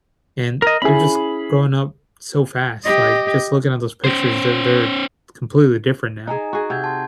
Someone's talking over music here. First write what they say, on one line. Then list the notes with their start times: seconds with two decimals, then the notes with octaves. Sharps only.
and they're just growing up so fast, like, just looking at those pictures, they're they're completely different now.
0.62 A#4 D#5
0.82 C#4 E4 G#4 B5
2.84 G4 D#5
4.04 C#4 C5
6.27 D#4 G#4 D#5 G#5 A#5
6.53 F#4 G#4
6.70 C3 F#5 G6 G#6
6.84 A5 C6